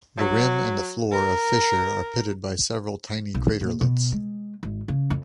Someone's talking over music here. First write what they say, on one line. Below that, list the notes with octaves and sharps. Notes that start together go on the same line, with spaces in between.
The rim and the floor of Fischer are pitted by several tiny craterlets.
F#3
A#4
B1
D3
A#2
B2
G#3
G#1
C#3
F2